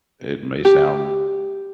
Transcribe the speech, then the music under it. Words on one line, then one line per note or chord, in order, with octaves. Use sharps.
that may sound,
G4